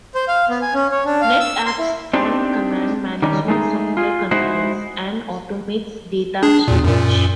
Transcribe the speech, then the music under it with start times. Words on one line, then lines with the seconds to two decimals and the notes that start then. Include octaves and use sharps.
NetApp's OnCommand management software controls and automates data-storage.
0.15 C5
0.28 F5
0.49 B3
0.62 G#5
0.74 C#4
0.92 C#5
1.05 D4
1.21 F5
1.40 E6
1.66 C6
1.78 E4
2.13 C4 D4 D#4 G4
3.22 D#3 G3 C#4 D#4
3.48 G#3 A3 D#4 G#4
3.97 F4 G#4
4.31 G#3 D#4 E4 F#4 C5
6.43 D4 G#4
6.68 E2 A#2
6.84 F#2 A#2